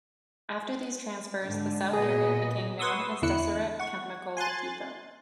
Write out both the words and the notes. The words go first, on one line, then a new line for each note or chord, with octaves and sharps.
After these transfers the South Area became known as Deseret Chemical Depot.
G#2 D3
A#2 B3 G#4 D#5
B4 F#5 C6 C#6 D#6 E6
E2 D3 E4 F#6 C#7
F#5 C#6
G#5 C6 F#6 A6